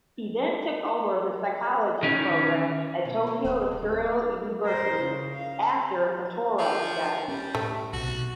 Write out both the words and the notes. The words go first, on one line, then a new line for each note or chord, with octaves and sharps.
He then took over the psychology program at Tokyo Imperial University after Motora died.
D#3 C#4
B2
A#3
D1 F5
C3
A#4 C5
C#3
F5
F3
G3 C#4
A2 A3
B1 C3 F#4